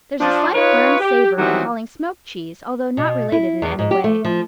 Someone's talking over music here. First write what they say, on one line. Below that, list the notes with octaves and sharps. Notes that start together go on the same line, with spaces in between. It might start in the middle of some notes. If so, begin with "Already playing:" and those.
There's a slight burned savor recalling smoked cheese, although not related in any way.
F3 D4
D#4 F4 B4 C#5
G4
D#3 E3 F#3 G3 B3 C4
B2
E4
E2
G#2
G4
A3
F3